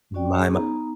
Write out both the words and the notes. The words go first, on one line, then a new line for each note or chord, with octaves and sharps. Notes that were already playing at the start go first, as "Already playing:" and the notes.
My my
C#4 F#4 D5 G5
C#4 G#4
B3 D#4 A#5